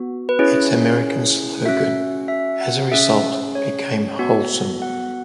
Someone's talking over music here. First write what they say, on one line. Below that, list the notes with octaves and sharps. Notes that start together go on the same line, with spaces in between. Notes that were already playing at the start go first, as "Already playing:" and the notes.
Its American slogan, as a result, became Wholesome?
Already playing: B3 F#4
B4
C#4 E4 G#4 C#5
C#4 F#4 E5
E5
F#5
C#4 G#4 E5
C#5
B3 F#4
F#5